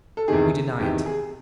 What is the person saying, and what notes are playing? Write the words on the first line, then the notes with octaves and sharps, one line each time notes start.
We deny it.
A4
E2 C3 D#3 G#4
E2 C3 D#3 G4
G#4